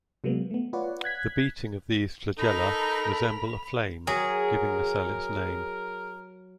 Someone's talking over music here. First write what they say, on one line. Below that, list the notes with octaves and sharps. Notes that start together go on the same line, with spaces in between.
The beating of these flagella resemble a flame, giving the cell its name.
C3 F#3 G#3 A#3 B3
A3 B3
F4 B4 C#5 D5 F#5
F#6 G#6 B6
D#4 A4 A#4 A#5 B5 F7
F#3 G#4 A#4